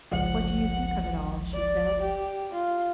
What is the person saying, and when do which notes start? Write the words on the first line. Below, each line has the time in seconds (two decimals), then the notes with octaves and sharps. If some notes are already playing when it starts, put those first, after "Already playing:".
"What do you think of it all?" she said.
0.12 G1 C#2 F3 F#5
1.54 D5
2.01 G4
2.52 F4